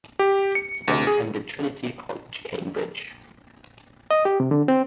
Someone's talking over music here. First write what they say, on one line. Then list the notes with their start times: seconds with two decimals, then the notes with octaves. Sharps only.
He then attended Trinity College, Cambridge.
0.19 G4
0.55 C#7
0.88 D2
1.07 G#4
4.11 D#5
4.25 G4
4.40 C3
4.51 D3
4.68 C4